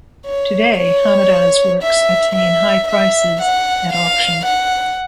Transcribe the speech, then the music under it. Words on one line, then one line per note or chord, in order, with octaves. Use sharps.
Today Hamada's works attain high prices at auction.
C#5
C#5
E5
E5
E5
F#5
F5
F#5